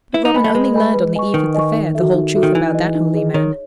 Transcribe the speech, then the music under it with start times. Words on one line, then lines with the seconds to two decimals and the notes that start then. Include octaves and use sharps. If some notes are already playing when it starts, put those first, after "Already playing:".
But Robin only learned on the eve of the Fair the whole truth about that holy man.
0.14 E4 B4
0.25 D#4
0.34 B3 D#5 G#5 B5
0.44 A3
0.55 G#3 B4
0.74 D#5 G#5 B5
0.94 B4
1.15 D#5 G#5 C#6
1.34 D#3 B4
1.55 D#5 G#5 C#6
1.74 D#4
1.95 F#4 A4 E5
2.14 D#4
2.35 F#4 A4 E5
2.43 D#3
2.55 E3 D#4
2.75 G#4 D#5
2.95 D#4
3.15 G#4 D#5
3.34 D#3 C#5